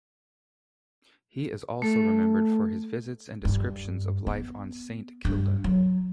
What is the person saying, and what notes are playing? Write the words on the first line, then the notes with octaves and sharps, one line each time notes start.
He is also remembered for his visits and descriptions of life on St Kilda.
A3 A4
G2
B3
G2
F#3